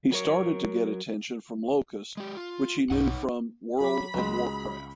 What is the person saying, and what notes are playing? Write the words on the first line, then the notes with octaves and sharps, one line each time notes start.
He started to get attention from Locust which he knew from "World of Warcraft".
F#3 A#4 C#5
G#3 G4
F4
B1 G2 D#4 C#5 F#5
F#3 B5 D6
C#2 F#3 G#3